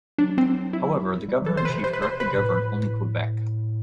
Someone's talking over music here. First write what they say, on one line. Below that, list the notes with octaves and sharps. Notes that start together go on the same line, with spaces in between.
However, the governor-in-chief directly governed only Quebec.
F#3 D4
C4
E4
G3
F#3 A4
E3 C5
B4
C3
C5
B4
C5
B4
A2